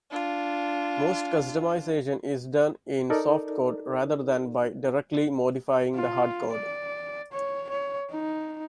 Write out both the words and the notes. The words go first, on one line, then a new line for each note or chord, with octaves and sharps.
Most customization is done in "softcode" rather than by directly modifying the hardcode.
D4 F4
D#4 A4 A#4 D5
F4
D5
C#5
C#5
D#4